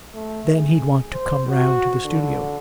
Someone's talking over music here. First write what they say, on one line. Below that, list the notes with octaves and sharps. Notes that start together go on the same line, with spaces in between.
'Then he'd want to come round to the studio.
A3
G#4
C5
F#4
D3